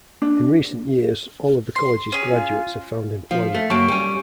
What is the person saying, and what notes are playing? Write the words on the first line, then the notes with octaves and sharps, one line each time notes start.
In recent years, all of the college's graduates have found employment.
D4
C6
C#4 G#4
F4
F3 F5
A3
F#2 A#3 A5 C#6 D7
G3 C#4